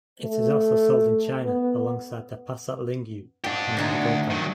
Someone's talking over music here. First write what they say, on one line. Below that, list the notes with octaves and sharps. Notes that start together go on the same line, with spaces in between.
It is also sold in China alongside the Passat Lingyu and Magotan.
A3
B3
G#2 D4 G4
D2 C3 D4 D#4
D#3 F#3